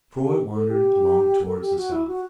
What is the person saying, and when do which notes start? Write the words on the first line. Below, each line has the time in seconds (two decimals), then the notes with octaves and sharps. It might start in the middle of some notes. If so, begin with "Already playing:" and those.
Troy wandered along towards the south.
0.24 G4
0.55 A4
0.70 G4
1.46 A4
1.61 G4
1.77 F#4
1.92 E4
2.07 F#4